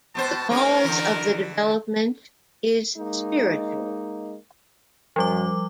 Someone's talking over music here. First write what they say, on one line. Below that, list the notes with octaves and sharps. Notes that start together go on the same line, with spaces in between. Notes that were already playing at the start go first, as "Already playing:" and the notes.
The cause of the development is spiritual.
B2 B3 C5 A5
G#2 A#3 C#4 A#4
D3 E3
G#3 A#3 D#4
F#2 F3 G3 D6